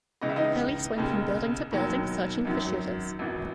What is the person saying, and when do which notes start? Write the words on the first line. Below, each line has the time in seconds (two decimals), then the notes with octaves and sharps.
Police went from building to building searching for shooters.
0.21 C#2 C#3 E3 D#5
0.29 E5
0.36 D#4 D#5
0.97 E1 D#2 C#3
1.71 E1 D#2 D#3 F#3
2.45 G#1 F#2 D#3 F#3
3.19 G#1 F#2 E3